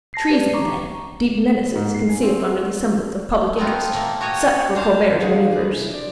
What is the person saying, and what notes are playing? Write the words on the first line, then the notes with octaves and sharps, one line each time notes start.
Treason, then--deep menaces, concealed under the semblance of public interest--such were Colbert's maneuvers.
A5 A#6 C7
G4 B4 D5
A#5 C#6 D6
G#1
G#2
C7
G#5
C4
F#4
A3 B3 C4 D#4 F4
A#2 A3 A#3
F#4 G4 C#5 D#5
D4 C5 F5 A5
D4 F4 G#4 C#5 F5 F#5
D4 F4 G#4 B4
C3 E4
D5